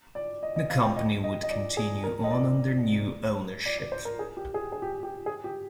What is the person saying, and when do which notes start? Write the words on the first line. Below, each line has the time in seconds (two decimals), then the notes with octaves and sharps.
The company would continue on under new ownership.
0.15 D5
0.43 D#5
0.56 D#5
0.70 F5
0.83 G5
0.96 D#5
1.24 D#5
1.43 D#5
1.50 D5
1.77 G#4
2.04 A#4
2.24 D#5
2.31 D5
3.66 D5
3.78 D5
3.92 C5
4.05 A#4
4.19 G#4
4.37 G4
4.54 G#4
4.72 G#4
4.82 G4
5.03 G4
5.26 G#4
5.44 G4